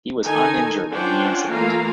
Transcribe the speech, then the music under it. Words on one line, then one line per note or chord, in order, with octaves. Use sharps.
He was uninjured in the incident.
D#3 D#4 A4 G#5
C#4 D4 F4 C5 F#5 G5
E3 A3 A#3 F4 F5 A#5